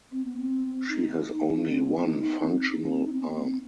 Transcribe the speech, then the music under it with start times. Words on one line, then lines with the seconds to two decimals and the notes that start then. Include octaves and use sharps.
She has only one functional arm.
0.12 C4
0.24 B3
0.37 C4
0.89 D#4
1.66 C4
1.84 B3
2.04 D#4
2.23 D#4
2.42 C4
2.70 D#4
2.81 C4
3.06 D#4
3.13 C4
3.21 B3
3.39 C4